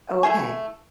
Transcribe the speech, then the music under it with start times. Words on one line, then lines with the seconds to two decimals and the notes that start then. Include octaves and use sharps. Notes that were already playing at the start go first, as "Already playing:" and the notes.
Oh, okay.
0.23 A3 E4 G#4 G#5